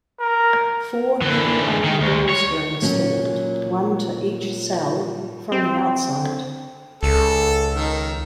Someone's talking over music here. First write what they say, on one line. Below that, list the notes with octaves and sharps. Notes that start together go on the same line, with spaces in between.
Four heavy iron doors were installed, one to each cell, from the outside.
A#4
D3 E3
D#3
D2
C#5
A#2 F#3 C#4
C4
C#2 A4
D#3